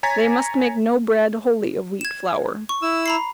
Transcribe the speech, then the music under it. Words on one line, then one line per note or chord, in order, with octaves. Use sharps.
They must make no bread wholly of wheat flour.
C#5 G#5 A#5 G#6 A6 B6
G#6 E7
C#6
E4 E6
A#5 B5 C7